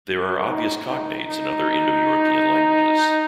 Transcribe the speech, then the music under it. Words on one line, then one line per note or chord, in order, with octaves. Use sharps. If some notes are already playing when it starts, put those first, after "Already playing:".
There are obvious cognates in other Indo-European languages.
D#4
D#4
D#4